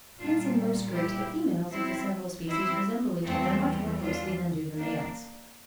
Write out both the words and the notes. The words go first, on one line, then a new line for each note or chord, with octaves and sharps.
Hence in most groups the females of the several species resemble each other much more closely than do the males.
A#2 G3 D4 F4
E4 G4
C4 E4
C4 E4
E2 E3 G3 A3 C4
D4 F4
A#3 D4